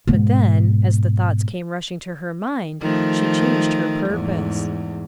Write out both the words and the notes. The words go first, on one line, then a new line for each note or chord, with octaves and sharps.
But then, as the thoughts came rushing to her mind, she changed her purpose.
G#2 B2
D#3 F3 A3
E2 G#2